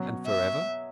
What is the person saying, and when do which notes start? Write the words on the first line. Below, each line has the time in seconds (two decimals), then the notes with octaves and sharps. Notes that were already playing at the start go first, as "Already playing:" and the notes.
And forever?
Already playing: B2 F#3 C#4 F#4
0.26 E5